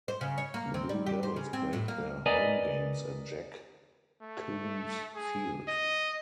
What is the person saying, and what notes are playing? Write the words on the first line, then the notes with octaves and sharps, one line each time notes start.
The Blue Devils played their home games at Jack Coombs Field.
C5
C#3
C#5
A#3
C4
G3
G4
C5
C#3
C4
A2
A#3
A#4 B4 D5 D#5 G#5 A#5
A3
G#4
D#5